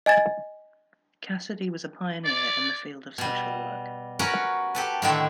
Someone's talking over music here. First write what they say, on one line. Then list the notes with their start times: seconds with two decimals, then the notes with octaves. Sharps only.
Cassidy was a pioneer in the field of social work.
0.06 D#5 G#5 G#6 A6
2.25 D5
3.18 B2 G3
4.19 C#4 F#4 A#4 B4 F#5 A#5
4.75 G4 A4 B4
5.02 A2 D3 D#3 A3 D4 E5